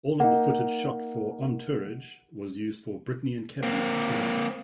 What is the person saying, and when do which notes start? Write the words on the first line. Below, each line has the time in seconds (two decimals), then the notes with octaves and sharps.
All of the footage shot for "OnTourage" was used for "Britney and Kevin: Chaotic".
0.20 A#3 D#4 F#5
3.63 A#3 C4